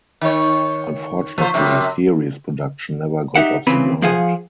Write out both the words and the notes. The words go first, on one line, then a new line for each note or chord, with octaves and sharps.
Unfortunately series production never got off the ground.
D#3 C#5
F3 C5
F#2 C3
D#4 G4 E5 F#5
C#3 E3 C4 B4 B5
F3 G#4 F5 F#5 G#5